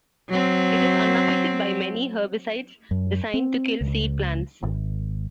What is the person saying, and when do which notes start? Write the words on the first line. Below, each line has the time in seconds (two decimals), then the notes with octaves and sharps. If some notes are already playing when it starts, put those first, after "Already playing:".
It is unaffected by many herbicides designed to kill seed plants.
0.29 F#3 C4
2.91 F#2
3.34 C4
3.81 C#2
4.63 G#1